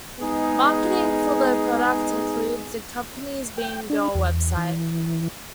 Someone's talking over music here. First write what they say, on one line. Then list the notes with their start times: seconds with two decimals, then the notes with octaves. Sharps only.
Marketing for the product includes the company's BeingGirl website.
0.19 G#3 B3 D#4 G#4
3.57 G5
3.90 D4
4.15 E2
4.57 E3